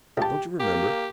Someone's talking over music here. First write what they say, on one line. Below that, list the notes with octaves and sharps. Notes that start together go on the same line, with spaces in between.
'Don't you remember?
C#2 G4 A5
A#3 G4